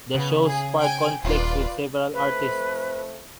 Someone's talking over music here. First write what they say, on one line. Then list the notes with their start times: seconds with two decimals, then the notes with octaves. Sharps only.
The show sparked conflicts with several artists.
0.15 C#3 B3
0.46 G#4
0.77 G5 G#5 D7
1.24 D#1 F4 B4 D5
2.13 F2 A3 B4 C5